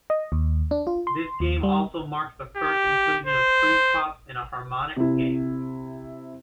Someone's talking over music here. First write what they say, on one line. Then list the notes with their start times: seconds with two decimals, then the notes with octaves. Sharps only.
This game also marks the first inclusion of Freezepop in a Harmonix game.
0.10 D#5
0.32 D#2
0.71 D4
0.87 F4
1.07 C6
1.40 D#2
1.63 G3
2.57 G4
3.27 C5
4.96 C3 E4